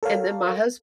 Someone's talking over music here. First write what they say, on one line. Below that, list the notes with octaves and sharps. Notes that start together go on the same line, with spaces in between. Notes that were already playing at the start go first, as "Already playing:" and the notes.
And then my hus
A4 A#4 C#5 F5